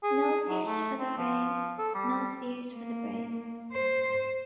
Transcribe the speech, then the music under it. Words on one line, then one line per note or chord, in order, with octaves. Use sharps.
No fears for the brave; no fears for the brave.
G#4
F#3
A3
C4
F3
A4
G3
A#3
C5